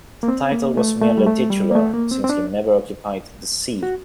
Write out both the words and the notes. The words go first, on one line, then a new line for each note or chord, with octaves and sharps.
The title was merely titular since he never occupied the See.
A#3
C4
A#3
A3
A3
G3
A3
G3
A#3
A3
A#3
C4
C4
D4
F#4